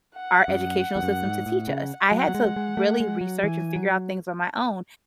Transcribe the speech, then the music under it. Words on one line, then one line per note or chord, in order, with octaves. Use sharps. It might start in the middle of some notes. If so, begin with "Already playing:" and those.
our educational system to teach us. I had to really research and figure out things on my own,
F#5
F#2
E2
F#2
G#2
A2
C#3
F#3 F#5
F#3
G#3
G#3
A3
G#3
F#3
E3 G#5
F#3